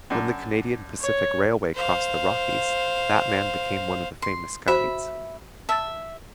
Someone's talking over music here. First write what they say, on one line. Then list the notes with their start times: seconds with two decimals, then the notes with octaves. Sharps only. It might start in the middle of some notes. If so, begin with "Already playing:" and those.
When the Canadian Pacific Railway crossed the Rockies, that man became one of the famous guides.
0.10 F#2 D4
1.00 C#5
1.75 C5 F5
4.22 C6
4.68 F#4 C5 E5 B5
5.69 E5 A5 E6 A6